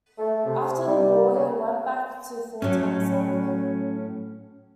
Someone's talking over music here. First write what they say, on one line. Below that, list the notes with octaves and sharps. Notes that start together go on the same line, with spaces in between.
After the war, he went back to full-time cycling.
A3
C3
G3
C#3
A2 F#3 C#4